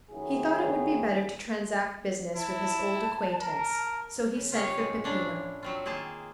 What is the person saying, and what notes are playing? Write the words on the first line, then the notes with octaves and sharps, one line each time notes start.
He thought it would be better to transact business with his old acquaintance, so he sent for Peppino.
A1 D#3 F#3 E4 G#4
E4 A5
A#4
C#3
F4 G4 C#5 F5
A2 G#3
C#4 D4 E4 F4
F#3 C4 F4
D#3 A#3 G#4 C5 A5